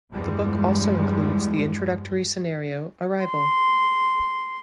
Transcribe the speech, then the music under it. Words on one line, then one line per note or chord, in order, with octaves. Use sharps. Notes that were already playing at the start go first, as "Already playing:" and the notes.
The book also includes the introductory scenario "Arrival".
E2 G2 F3 G3 G#3
C6